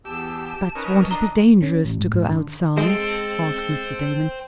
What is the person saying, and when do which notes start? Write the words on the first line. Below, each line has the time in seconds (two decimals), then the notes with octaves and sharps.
"But won't it be dangerous to go outside?" asked Mr. Damon.
0.05 E2 G4 A5 E6
0.75 C#4 D#4 A#4 B4
1.11 D3 D4 D#5 A#5
1.62 C#4
1.84 A1
1.98 G#2
2.13 G#2
2.30 D3
2.77 G#3 A4 C5 G5